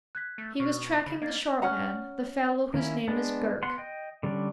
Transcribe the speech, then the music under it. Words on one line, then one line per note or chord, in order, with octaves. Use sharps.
He was tracking the short man, the fellow whose name is Girk.
F#6 G#6 B6
A3
B2 C#6 F6
C#3 B5
A#3 D#5 G#6 A6
C#4 F#5 A#5
D#3 A#3 C#4 E4
G#3 B3 D4
B3 F#5 C6
D#5 G5
D3 G3 C#4 D4